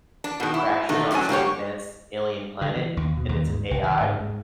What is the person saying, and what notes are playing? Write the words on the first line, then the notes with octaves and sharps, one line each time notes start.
it crashes on some advanced alien planet, and it’s an AI
D4
B2 D#3
E4
D3 D#3 A3 D#4
A2 F#3 C#4 D4 G#5
D3 A#3 G4 C#5
D3
E3
D#2
B2
D#2
G#2
C2
D#3
G#2
G#2